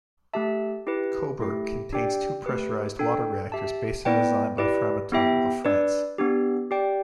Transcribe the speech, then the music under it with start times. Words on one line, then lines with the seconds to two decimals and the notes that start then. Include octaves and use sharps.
Koeberg contains two pressurised water reactors based on a design by Framatome of France.
0.34 A3 G4 E5 A5
0.87 E4 G4 B4
1.40 A3 E4 G4
1.93 D4 G4 D5 G5
2.46 A3 G4 B4
2.99 D4 A4 G5
3.52 G4 E5 A5
4.05 B3 E4 B4 D5 G5
4.58 E4 G4 B4 D5
5.12 B3 E4 G4 E5 G5
5.65 D4 B4 D5
6.18 B3 D4 G4
6.71 G4 D5 G5